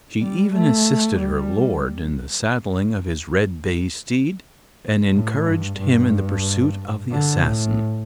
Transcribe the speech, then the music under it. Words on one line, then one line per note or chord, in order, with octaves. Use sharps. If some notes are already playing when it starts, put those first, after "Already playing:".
She even assisted her lord in the saddling of his red-bay steed, and encouraged him in the pursuit of the assassin.
G3
A3
G3
A2
G2
G2
D3
A2